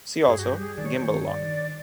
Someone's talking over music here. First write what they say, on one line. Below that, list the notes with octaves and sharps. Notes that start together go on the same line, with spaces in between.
See also: Gimbal Lock.
G4
G2 G#4
F#4
G3 G4
G3 G#4
D#3 D5
C#5
D#3 C5
C#5
G2
D#3 D5
D#3